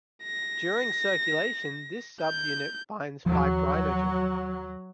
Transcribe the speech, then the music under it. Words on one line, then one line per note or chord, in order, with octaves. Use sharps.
During circulation, this subunit binds fibrinogen.
A#6
G6
D#2 F3 F#3